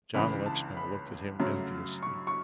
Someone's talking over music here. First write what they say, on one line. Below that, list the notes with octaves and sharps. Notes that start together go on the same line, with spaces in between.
John Lexman looked at him enviously.
C#2 C#3 E3 B5
A5
B5
F#2 C#3 F#3 A3
C#6
C#6